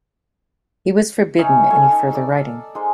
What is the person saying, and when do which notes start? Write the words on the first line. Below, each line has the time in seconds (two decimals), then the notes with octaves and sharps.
He was forbidden any further writing.
1.38 C#4 D#4 C#5 E5
1.70 A4 C#5 F5 G#5
1.93 D#4
2.12 A4 D5
2.75 G#3 A#3 D#4 C5